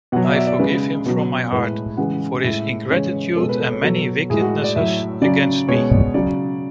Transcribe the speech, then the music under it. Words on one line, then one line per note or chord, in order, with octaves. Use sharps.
I forgive him from my heart for his ingratitude and many wickednesses against me.
B2 F#3 F#5
E5
D5
E5
D5
C#3 G#3 B4
B2 F#3
A2 G#3 B4
C#3 E3 G#3 F#5
A2 G#3 E5
C#3 E3 G#3 C#5
B2 G#3 A4
B4
A4
C#5
B2 F#3 A4
A2 G#3 G#4
F#4
D5
A2 F#3 E5
C#3 F#3 D5
B2 G#3 C#5
D5
C#3 F#3 D5